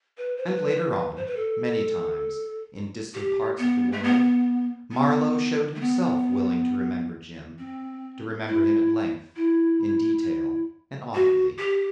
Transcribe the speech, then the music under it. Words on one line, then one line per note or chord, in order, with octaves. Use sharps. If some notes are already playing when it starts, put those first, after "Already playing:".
And later on, many times, in distant parts of the world, Marlow showed himself willing to remember Jim, to remember him at length, in detail and audibly.
B4
C5
B4
C5
B4
A4
G4
B3
A3
B3
B3
A3
B3
C4
E4
E4
F#4
G4